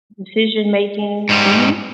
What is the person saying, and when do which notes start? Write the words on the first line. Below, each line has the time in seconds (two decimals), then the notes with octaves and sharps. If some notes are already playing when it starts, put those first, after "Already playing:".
Decision making, mhm.
1.29 G#2 G3